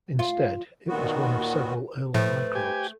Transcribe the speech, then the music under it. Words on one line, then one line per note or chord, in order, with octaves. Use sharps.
Instead, it was one of several early microbes.
F4
D#2 A#2 D#3 B3 F#4
A2 F3 A3 B4 C5
G4 G#5